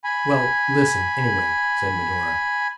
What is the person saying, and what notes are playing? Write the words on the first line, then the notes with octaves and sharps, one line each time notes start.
"Well, listen, anyway," said Medora.
G#5 B5